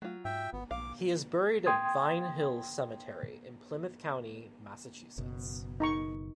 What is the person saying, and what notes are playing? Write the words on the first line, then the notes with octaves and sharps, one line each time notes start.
He is buried at Vine Hills Cemetery in Plymouth County, Massachusetts.
F#3 A3 F4
G#2 E5 G5
G#1 B3
B1 F5 D6
G5 C6 D#6 G#6
F#1 B2
D#4 A#5 C#6